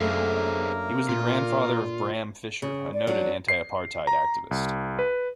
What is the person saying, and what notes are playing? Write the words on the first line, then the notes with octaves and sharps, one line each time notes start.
He was the grandfather of Bram Fischer, a noted anti-apartheid activist.
F#2 A3 A#3 D4 G#4 A#4 C5 F5
A#2 F4
C#3
D5
F#3 D4
C7
A#5
C2
B4